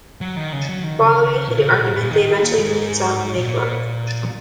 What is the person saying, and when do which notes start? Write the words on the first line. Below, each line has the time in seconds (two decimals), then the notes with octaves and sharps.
Following a heated argument, they eventually reconcile and make love.
0.21 F#3
0.37 D#3
0.53 C#3
0.69 F#3
0.83 D#3
1.00 C#3
1.48 A#2
1.58 C#3
1.68 B2
1.79 A#2
1.90 G#2
2.00 A#2
2.11 D#3
2.43 A#2
2.59 G#2
3.37 A#2